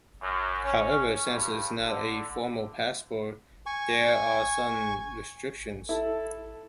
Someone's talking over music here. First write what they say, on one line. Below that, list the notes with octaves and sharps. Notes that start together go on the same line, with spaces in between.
However, since it is not a formal "passport", there are certain restrictions.
F#2
C#4
G2
D3
G#5 C#6
E4 A4